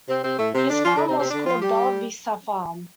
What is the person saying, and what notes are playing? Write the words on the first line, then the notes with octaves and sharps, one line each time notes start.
His farm was called 'Bella Vista Farm'.
C3 C4
C3 C4
A2 A3
C3 C4
D3 D4
F3 F4
D3 D4
C3 C4
C3 C4
D3 D4
F3 F4
G3 G4